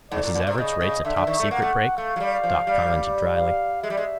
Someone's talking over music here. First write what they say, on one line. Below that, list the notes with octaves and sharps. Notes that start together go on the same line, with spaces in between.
"Mrs. Everts rates a topsecret break?" Doc commented dryly.
G#2 D5
A2
A#2
C3
C#3 D#5
C#3
D3 E5
D3
D#3
A3
A#3 F#5
A3
A3 F5
F#3
G3
F3
G3
F5
G#3 E5
G3
G#3